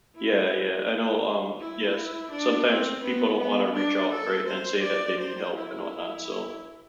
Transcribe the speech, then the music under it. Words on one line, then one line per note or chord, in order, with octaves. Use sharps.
Yeah, yeah, I know, um Yes, sometimes people don't want to reach out, right, and say that they need help and whatnot, so
E4
E4
D4
C4
B3
B3
D4
A4
C5
D5
C5
E4